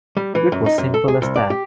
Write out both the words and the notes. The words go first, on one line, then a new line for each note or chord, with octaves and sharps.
It was simple as that.
G3
E3
F#2
D#4
F#2
A4
G#4
C2
D5
G4